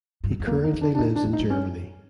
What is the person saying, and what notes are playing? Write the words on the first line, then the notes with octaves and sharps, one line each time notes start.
He currently lives in Germany.
G2
F#2
F2
E2 A#3
D#4
F2
D4
D4
F2 D#4
D4
E2
D#4
F#2
C#4